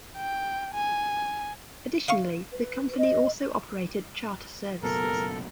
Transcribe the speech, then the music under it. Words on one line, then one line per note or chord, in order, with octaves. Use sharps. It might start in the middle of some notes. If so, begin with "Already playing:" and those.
Additionally, the company also operated charter services.
G5
G#5
E5 F5 C#6
B4
D#5
F#1 B2 A4 A#4